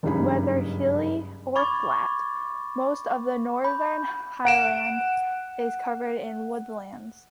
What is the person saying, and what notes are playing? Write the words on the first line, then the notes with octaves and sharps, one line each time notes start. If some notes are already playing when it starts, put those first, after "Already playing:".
Whether hilly or flat, most of the Northern Highland is covered in woodlands.
F#1 C#2 G2 D#4 G#4 B5
B5 C#6 D6 G#6 A6
B5 G6
F#5 D7 E7